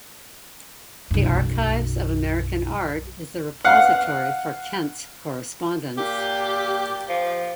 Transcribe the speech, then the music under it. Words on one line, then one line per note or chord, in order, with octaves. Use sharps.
The Archives of American Art is the repository for Kent's correspondence.
B1 F#2
F5 F#5
A#2 G4
F3